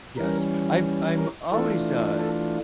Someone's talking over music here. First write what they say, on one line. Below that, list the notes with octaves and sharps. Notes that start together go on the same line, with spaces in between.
Yes. I'm I'm always, uh,
E3 G3 C#4 A#4
A#4
E3 A3 D4 F4 A4
A4